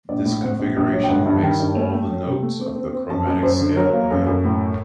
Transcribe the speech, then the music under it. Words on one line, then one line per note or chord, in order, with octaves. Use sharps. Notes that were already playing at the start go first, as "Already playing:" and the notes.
This configuration makes all the notes of the chromatic scale available.
A#1 D5
A2
C4 F#5
A#1
A#1
F#3
G5
G1 F#5
G2
D#3 G5
G2
A3
A3
F#3
C3
A3
C4
C4
C4
F#2 A5
F#2
F#2 C5
D3
F#3 A#4
A#3
F#2 A4
F#2
A2 A4